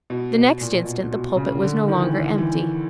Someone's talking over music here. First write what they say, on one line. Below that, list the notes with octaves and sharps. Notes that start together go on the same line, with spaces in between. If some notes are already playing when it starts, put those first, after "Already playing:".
The next instant the pulpit was no longer empty.
B2
B2
A#2
B2
B2
C#3
D3
D#3
E3
E3